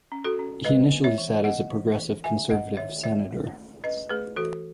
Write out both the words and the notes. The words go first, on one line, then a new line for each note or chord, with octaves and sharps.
He initially sat as a Progressive Conservative Senator.
C#4
F#4 A4
C#4
G#3 B4 D#5
B3
C#5 E5
E3
B3 D#5 F#5
E3
E3
D#3 E5 G#5
C#4 D#5 F#5
D#3 C#5 E5
D#3 C#5 E5
A3
A3
C#4 B4 D#5
A3 G#4 B4
E3 F#4 A4